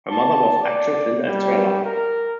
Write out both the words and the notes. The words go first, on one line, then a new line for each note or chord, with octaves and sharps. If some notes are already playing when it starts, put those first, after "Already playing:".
Her mother was actress Linda Estrella.
A5
D5
G3
A#4